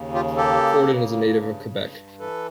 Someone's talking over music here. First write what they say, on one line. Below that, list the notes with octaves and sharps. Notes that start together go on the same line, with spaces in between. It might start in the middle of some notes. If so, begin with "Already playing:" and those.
Fortin is a native of Quebec.
Already playing: D#2 C#3
F4 G4
A#3 G4 A4
C#3
G2
G2
E3 A4 B4